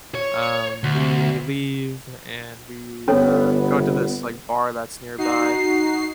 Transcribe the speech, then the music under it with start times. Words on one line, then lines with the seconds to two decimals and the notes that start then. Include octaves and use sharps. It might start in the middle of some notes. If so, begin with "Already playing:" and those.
um, we leave and we, uh, go to this, like, bar that's nearby.
0.15 C#5
0.84 D2
3.08 G1 B3 C#4 A4 C#5
5.18 D#4 F#4 C7